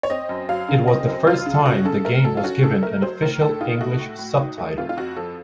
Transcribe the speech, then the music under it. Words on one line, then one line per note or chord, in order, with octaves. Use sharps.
It was the first time the game was given an official English subtitle.
C#5
C4 D#5
F#2
F#3 F5
C#3
C4 D#5
F#2
F#3 F4
C#3
A4
C#4 F#4
C#3 A4
A3 A#4
F#3 A4
F4
C#4 F#4
C#3 A4
A3 A#4
F#3 C5
A2 A#4
A2 A4
D#4 F4
A3 F#4
A2
A2
D#4
A3
F2 F4
F4
F2 F#4
F3 A4